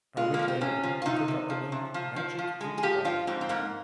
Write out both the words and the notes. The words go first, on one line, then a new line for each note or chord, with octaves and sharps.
A week later, they took up the name Magic Eight Ball.
G#3 F4
A#3
F3
C4
C3 C#4
F3
F4
C3 D#4
C3
F3
C3
F3
F3
F3
G#3
G#4
F3 G4
F3 F4
G#2 C4
C4
G#2 A#3